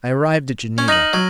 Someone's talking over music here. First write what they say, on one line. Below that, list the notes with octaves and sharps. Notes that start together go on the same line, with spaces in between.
I arrived at Geneva.
C#4
D#4 F6 A#6 D#7 F#7
F#3